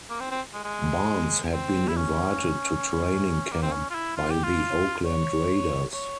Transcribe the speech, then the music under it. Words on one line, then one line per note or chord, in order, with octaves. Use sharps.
Barnes had been invited to training camp by the Oakland Raiders.
A#3
C4
C4
G#3
G#3
C4
E4
C#4
A#3
C4
C#4
F4
E4
F4
G4
F4
C#5
C#5